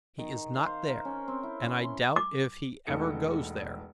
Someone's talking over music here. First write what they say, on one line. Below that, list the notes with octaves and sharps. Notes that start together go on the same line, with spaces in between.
He is not there and I doubt if he ever goes there.
D#3
F5
C5
A#4
C#4
C4
E4
C#4
C6
D6
E1 E2 A3 D#4 A4 C#7